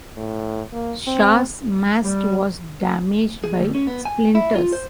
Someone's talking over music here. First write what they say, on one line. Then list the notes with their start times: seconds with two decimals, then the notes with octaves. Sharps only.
"Shah"s mast was damaged by splinters.
0.16 A2
0.73 A#3
1.07 C4
2.03 G3
3.44 G#4
3.60 D2
3.75 C#4
3.87 B3
4.05 G#5
4.35 E4
4.56 F4
4.73 C5